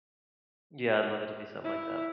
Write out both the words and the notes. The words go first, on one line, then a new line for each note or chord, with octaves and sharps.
yeah, I'd love it to be something like that.
E4